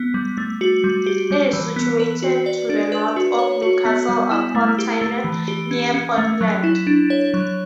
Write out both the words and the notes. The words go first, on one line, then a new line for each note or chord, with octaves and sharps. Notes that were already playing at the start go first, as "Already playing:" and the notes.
It is situated to the north of Newcastle upon Tyne, near Ponteland.
Already playing: B3
G3
A3
F#4
G3
G4
G3
E3
B3
B4
F#4
D5
D4
B4
F#4
C#5
F#4
B3
G3
E4
A3
G4
A3
E3
G4
C#4
C#4
A3
F#3
E4
D4
C#5
F#3